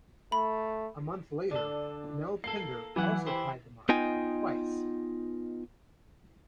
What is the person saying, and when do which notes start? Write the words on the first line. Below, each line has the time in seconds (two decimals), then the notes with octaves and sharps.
A month later Mel Pender also tied the mark, twice.
0.32 A3 B5
1.51 D3 D4 A4
2.44 A#3 A4 C7
2.96 E3 F#3 E4 F#5
3.27 E4 G4 C5
3.89 B3 D#4 F4 D#5 G5 G#5